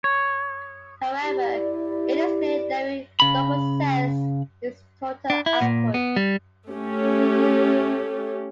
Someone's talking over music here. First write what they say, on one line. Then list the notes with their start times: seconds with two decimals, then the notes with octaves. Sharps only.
However, it is clear that we don't possess his total output.
0.04 C#5
1.22 E4 G4 D5
3.20 C#3 B5
5.30 D4
5.46 E4
5.61 A#2
5.94 B3
6.16 G3
6.70 A3 C#4 G4